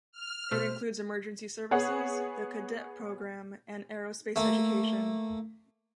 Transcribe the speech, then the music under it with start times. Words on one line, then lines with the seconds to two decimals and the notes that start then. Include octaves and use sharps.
It includes emergency services, the cadet program, and aerospace education.
0.12 F6
0.51 B2 A3 C5
1.71 B3 G#4 B4 C#5 F#5
4.36 A3 A#3